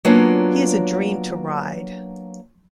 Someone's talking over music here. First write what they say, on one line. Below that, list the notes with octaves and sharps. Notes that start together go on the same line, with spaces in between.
He is a dream to ride.
F#3 A#3 B3 C#4 D4 F4